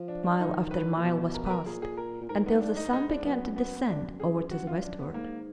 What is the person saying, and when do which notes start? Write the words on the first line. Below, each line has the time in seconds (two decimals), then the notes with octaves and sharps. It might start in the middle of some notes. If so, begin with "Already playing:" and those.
Mile after mile was passed, until the sun began to descend over to the westward.
Already playing: F3
0.08 D4
0.24 D4
0.39 D#3 D#4
0.71 B4
0.97 A#2
1.03 B2
1.34 A#4
1.46 B4
1.50 A#4
1.66 A#2 G#4
1.82 G#4
1.97 A#4
2.21 A#2
2.29 G#2 A#4
2.46 B3
2.61 D4
2.77 D#4
2.93 G#2 D#4
3.09 D4
3.24 F#2 B3
3.56 B3
3.88 F#2 D4
4.20 G#4
4.51 F#4
4.67 F4
4.83 D4
4.99 B3
5.14 G#2 A#3